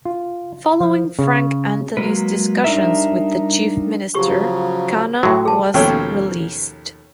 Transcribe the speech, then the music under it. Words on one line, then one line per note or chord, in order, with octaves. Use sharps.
Following Frank Anthony's discussions with the chief minister, Khanna was released.
F4
F3
C#3
F#3 G#3 A#3 B4
G3 D4 D#4 F4 A#4 E5
C#3 F3 F#3 G4 C#6
A2 F#3 F#4 G5
G#4 A5
D#2 B2 F3 A3 C#4 G5